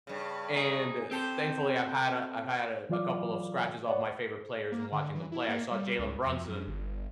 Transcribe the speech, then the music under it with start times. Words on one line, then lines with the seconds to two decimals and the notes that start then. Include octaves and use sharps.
And thankfully I've had a I've had a a couple of scratches off my favorite players and watching them play, I saw Jalen Brunson
0.07 G2 C#3
0.56 D#4 G#4
1.11 C4 G4 A4 C5
2.89 E3 F#3 F4 D5 F5 D6
3.87 C#5 D5 F#5
4.08 C5
4.72 A#3
4.92 D3
5.15 E3
5.32 E4
5.48 A#3
5.71 G3
5.99 C#2
6.26 F2
6.48 F#2
6.67 G1